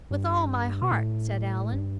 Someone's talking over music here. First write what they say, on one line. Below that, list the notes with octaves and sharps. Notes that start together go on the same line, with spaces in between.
"With all my heart," said Allan.
G2
B2
A2
G2